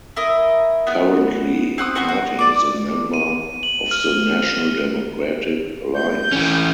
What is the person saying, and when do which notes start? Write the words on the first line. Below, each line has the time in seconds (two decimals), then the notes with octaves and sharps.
Currently party is a member of the National Democratic Alliance.
0.16 E4 A#4 D#5
0.87 B3
1.78 C4 F#5 C6 D#6
1.95 B3 C4 F#4
2.08 F#4
2.39 D5 D6
3.14 D#7
3.63 F#7
3.91 F6
5.95 G6
6.32 E3 C#4